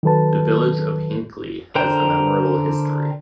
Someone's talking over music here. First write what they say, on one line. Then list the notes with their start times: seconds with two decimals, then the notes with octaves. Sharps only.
The Village of Hinckley has a memorable history.
0.03 D#3 F#3 A4 B4 A5
1.75 D3 A#4 C5 G5 A#5